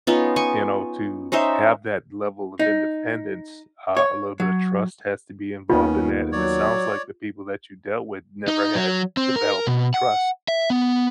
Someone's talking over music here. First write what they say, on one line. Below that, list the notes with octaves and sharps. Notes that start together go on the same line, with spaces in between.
you know, to have that level of independence, uh, a little bit of trust has to be involved in that, and it sounds like the people that you dealt with never have developed trust.
B3 C#4 D#4 F4
G#5 C#6
C#4 D#4 C5 E5
D#4
C#5
F#3
D#2 D#3 B3 C#4 F4
F#3 C#5 D5
D#4
F#3
C4
A#4
B2
F#5
E5
B3